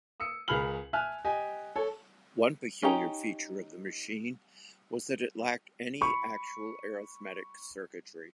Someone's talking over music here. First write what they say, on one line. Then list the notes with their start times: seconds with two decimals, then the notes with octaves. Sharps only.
One peculiar feature of the machine was that it lacked any actual arithmetic circuitry.
0.20 D#6 E6 C#7
0.48 C#2 G#4 A#4 B5 F6 F#7
0.93 E5 G#5 A5 F6 F#6
1.25 G4 D#5 G#5
1.76 A4 C#5
2.83 C#4 D#4 G4 A#5
6.01 B5 C#6